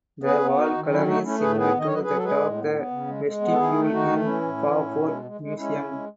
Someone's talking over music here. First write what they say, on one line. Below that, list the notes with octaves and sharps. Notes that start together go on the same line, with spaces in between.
The wall colour is similar to that of the vestibule in Faaborg Museum.
B3 G#4 B4
B3
D#3 D#4 F#4
D#3
F#3 C#4 E4
A3 D#4 F#4
A3 C#4 E4
A2 G#4 B4
B3 G#4 B4
D#3
D#5
C#5
F#3 B4 D#5
G#4 B4
F#3
A4
G#3 G#4 B4
A2
B3
B3
C#3
G#3
G#3
B3
A4
D#3 E4 G#4
A3
D#3 D#4 F#4
A3
E3 C#4 E4
A2
E3
A2
B2
G#3
G#3
G#3
G#3 C#4 E4
C#3
G#3